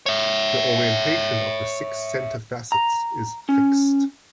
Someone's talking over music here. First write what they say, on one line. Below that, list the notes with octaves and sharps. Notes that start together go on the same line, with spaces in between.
The orientation of the six centre facets is fixed.
C#5 E5
A#5
C#4